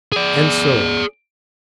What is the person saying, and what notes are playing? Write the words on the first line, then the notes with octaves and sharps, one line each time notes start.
And so on.
G#4 D5